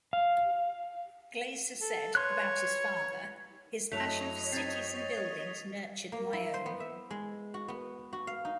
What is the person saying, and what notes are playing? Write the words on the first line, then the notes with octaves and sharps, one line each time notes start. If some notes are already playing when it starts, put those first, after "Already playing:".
Glaeser said, about his father, "His passion for cities and buildings nurtured my own".
F5
A4
B4 C#5 C6 F#6
F#2 F#3 A3 E4 C#5 D#5 B6 F7
C4 D#4 G#6 A6 C7
A#3
E4
C5
B3
E5
G#3
F#4
B3
F#4
F5
D#4